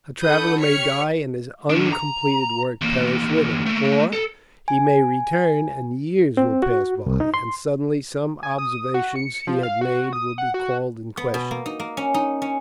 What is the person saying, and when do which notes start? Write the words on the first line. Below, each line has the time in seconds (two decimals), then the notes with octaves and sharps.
A traveller may die, and his uncompleted work perish with him; or he may return, and years will pass by, and suddenly some observations he had made will be called in question.
0.21 D4 A4 F#5 B5 D#6 G6
0.59 G4 C#5 C#6 F6 B6 C#7
1.70 D#3 D4
1.92 A#5
2.82 E2 A#3
3.66 A3 A#3
4.13 A4
4.68 G#5
6.37 C4
6.62 F#4
7.06 C2
7.20 D#4
7.34 C6
8.43 G#5
8.58 D#6
8.94 F#4
9.16 C#7
9.47 F3
9.63 F5
9.81 F#4
10.13 D#6
10.38 F#5
10.54 F#4
11.17 B3
11.34 B2
11.51 A#3
11.66 D#4
11.80 A#3
11.97 C#4
12.14 D#4
12.42 C#4